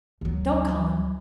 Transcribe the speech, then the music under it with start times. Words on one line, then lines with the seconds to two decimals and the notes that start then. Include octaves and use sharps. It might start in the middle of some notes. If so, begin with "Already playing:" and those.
Don't call him.
0.21 D2 F#3